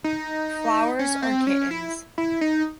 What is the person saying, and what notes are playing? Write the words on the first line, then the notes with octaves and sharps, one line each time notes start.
Flowers are kittens.
D#4
C#4
C4
C#4
E4
E4
D#4